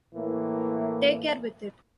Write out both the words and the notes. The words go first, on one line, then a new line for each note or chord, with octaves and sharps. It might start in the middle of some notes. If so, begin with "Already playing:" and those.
Take care with it.
A2 E3 A#3